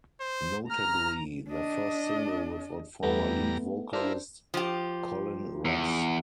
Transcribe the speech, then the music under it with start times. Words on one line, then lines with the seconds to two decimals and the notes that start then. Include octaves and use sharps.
Notably, their first single without former lead vocalist Colin Ross.
0.20 C5
0.71 A#5 F6
1.48 D4 D#5
3.03 E2 G3 A3 B3 A#5
3.93 D4 E4 F4 A#4 C5
4.54 F3 G4
5.65 E2